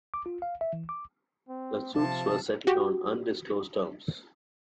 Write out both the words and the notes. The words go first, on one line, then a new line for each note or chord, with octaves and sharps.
The suits were settled on undisclosed terms.
D6
F4
F5
E5
E3
D6
C4
C3 F3 A5
F#4 G4